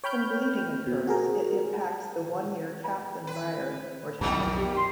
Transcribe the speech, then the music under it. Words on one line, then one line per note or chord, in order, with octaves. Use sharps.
When bleeding occurs, it impacts the one year Kaplan-Meier mortality.
C#5 G5 B5 F6 G6
B2
F#4 G#4 A#4
B4
B1 F2 D#3 G3 E4
G4
C6